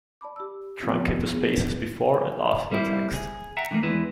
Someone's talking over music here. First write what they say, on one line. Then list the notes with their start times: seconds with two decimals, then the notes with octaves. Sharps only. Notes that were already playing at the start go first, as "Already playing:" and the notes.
Truncate the spaces before and after the text.
0.21 D5 A5 B5 D6
0.36 G4 B5 E6
0.83 F3 A3 B3 C4 F4
1.29 B3 G#4
1.50 C#4 E4 B4
2.71 G3 A#3 C4 E4
3.14 G#4
3.57 E5 F#5 G5 A#5
3.71 D3 E3 F#3 A3 A#3
3.83 E2 E3 G#3 E4 B4